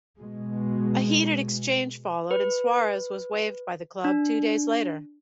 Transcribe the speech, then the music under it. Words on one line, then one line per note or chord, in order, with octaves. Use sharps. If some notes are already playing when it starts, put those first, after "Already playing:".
A heated exchange followed, and Suarez was waived by the club two days later.
B2 G#3
B4
D4